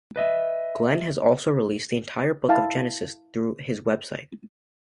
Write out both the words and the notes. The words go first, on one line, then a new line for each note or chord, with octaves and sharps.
Glen has also released the entire Book of Genesis through his web site.
B4 D#5 E5
E4 F5 A5